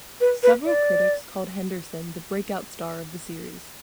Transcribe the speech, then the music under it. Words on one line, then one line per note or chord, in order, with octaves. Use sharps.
Several critics called Henderson the "breakout star" of the series.
B4
B4
D5